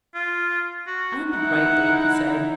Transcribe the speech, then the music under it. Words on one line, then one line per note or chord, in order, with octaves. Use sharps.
"And rightly," he said.
F4
F#4
D#4 E4 F#5